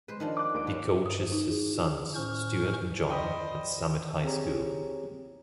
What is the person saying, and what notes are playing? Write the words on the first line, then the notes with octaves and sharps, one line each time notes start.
He coaches his sons, Stuart and John, at Summit High School.
G#3 B4 C5
D#3 F3 D4
D6 F#6
D#2 D7
C#4 B4
G2
D#6
C5
D#4
G#4
F4
A2 C#4 C5 C#6 F6
F2 C5 D5 D#5 G5 B5 D#6
C4 G4 G#4 C#5 A#5